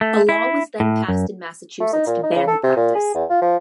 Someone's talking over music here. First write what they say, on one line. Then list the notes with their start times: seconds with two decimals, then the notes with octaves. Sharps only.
A law was then passed in Massachusetts to ban the practice.
0.01 A3
0.29 E4
0.80 A2
1.08 F#2
1.80 A3
1.93 D#4
2.07 A#2
2.23 D#4
2.36 C#3
2.47 A4
2.63 C3
2.76 A#2
2.95 G#4
3.14 E2
3.30 F4
3.41 F3